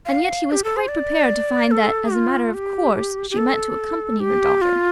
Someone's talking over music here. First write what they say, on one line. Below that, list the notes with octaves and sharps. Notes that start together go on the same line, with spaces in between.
And yet he was quite prepared to find that, as a matter of course, she meant to accompany her daughter.
F5
G4
A4
C5
D5
A4
F4
G4
G4
A4
G4
F4